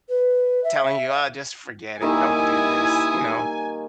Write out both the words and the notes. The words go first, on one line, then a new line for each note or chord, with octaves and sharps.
telling you, "Oh, just forget it, don't do this." You know?
B4
E5
D#3 G3 A#3 E4 G#5 D#6